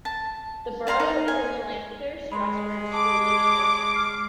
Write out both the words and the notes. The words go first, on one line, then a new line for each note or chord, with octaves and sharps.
The borough is in the Lampeter-Strasburg School District.
A5
D5 F5 A#5 C6
D#4
G#5
G#3 B5 C6
A5 D6
F6 C7